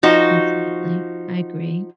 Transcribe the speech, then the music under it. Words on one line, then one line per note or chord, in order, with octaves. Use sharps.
Exactly. I agree.
F3 D#4 F#4